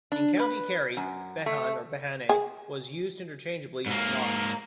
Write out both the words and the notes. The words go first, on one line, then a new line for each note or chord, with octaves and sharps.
In County Kerry, Behan or Behane was used interchangeably with Naughton.
D4
B4
F#2
A3
G#4
G#2 A#3